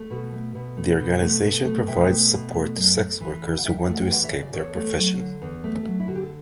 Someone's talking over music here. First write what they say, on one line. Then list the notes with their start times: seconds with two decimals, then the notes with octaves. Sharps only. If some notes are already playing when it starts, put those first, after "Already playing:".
The organisation provides support to sex workers who want to escape their profession.
Already playing: A3
0.10 B2 F#4 A4
0.33 A3
0.55 B2
0.77 A3
0.99 B2
1.22 A3
1.43 B2
1.65 A3
1.87 B2 E5 G5
2.10 A3
2.32 B2
2.54 A3
2.76 F#2
2.98 A3
3.20 E3
3.42 C#3
3.58 F#5
3.65 F#2 E5 G5
3.87 A3
3.94 F#5
4.02 G5
4.09 E3 D5 F#5
4.23 C#5 E5
4.31 C#3
4.42 D5
4.53 E2 A4 C#5
4.75 A3
4.97 F#3
5.19 D3
5.42 E2
5.64 A3
5.86 F#3
6.00 E4
6.08 D3 F#4
6.15 G4
6.22 A4